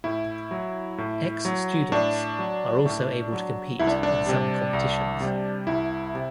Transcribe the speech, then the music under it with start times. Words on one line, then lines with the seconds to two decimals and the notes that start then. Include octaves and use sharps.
Ex Students are also able to compete in some competitions.
0.04 A2 E4
0.51 F#3
0.98 A2
1.45 F#3
1.92 A2 D4
2.39 F#3
2.85 A2
3.32 F#3
3.79 C2 E4
3.87 D4
4.03 D4
4.26 C3 G3
4.73 C2
5.20 C3 G3
5.67 C2 E4
6.15 C3